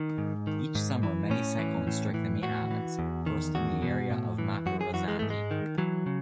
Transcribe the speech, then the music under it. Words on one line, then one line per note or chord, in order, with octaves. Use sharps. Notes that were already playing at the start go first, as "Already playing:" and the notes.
Each summer many cyclones strike the main islands first in the area of Makurazaki.
Already playing: D#3 D#4
G#2
D#3
G#2
E3
A2 C#4
E3
A2
E3
A2 F#4
E3
E2
D#3
E2 F#4
B2
A2
E3
F#2 F#4
G#4
E3 F#4
G#3
G#2 A3
G#3
D#3
E3 F#3
C#3